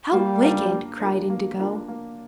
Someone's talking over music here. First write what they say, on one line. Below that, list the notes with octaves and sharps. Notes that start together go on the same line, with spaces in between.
"How wicked!" cried Indigo.
G3 A#3
D4 F4 A#4
A#3
D4 F4 A#4
A#3
D4 F4 A#4
A#3